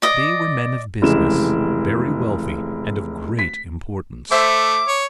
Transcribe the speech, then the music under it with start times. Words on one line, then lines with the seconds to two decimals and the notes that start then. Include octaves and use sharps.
They were men of business: very wealthy, and of great importance.
0.02 D5 D#5
1.02 F1 C#3 E3 G#3 E7
3.39 B6
4.31 A3 C5 E5 D6
4.88 C#5